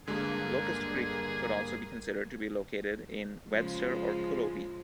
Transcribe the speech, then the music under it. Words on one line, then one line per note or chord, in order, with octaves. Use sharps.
Locust Creek could also be considered to be located in Webster or Cullowhee.
G2 D3 G#3 A#3 G#4
C#3 F3 G#3